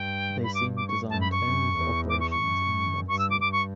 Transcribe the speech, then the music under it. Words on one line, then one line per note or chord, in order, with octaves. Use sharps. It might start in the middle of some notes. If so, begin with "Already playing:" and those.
They seemed designed only for operations in the North Sea.
Already playing: G2 G5
B5
D6
D6
C#6
F#2 A5
B5
C#6
F#2
E2
D6
C#6
C#6
F#2
G2 C#6
E6
D6
G2 D6
C#6